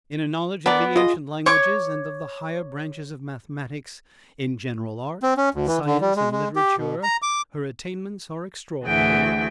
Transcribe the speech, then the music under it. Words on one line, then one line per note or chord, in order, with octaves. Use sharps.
In a knowledge of the ancient languages and of the higher branches of mathematics, in general art, science, and literature, her attainments are extraordinary.
B3 D4 A#4 D5
G#3 F4 D#5
C#5 C#6 D6
C4
C#4
D2
E3
D3
G3
G#3
G#3
G4
B2
A#5
D6
D2 E3 F#4 G#4 E5 G5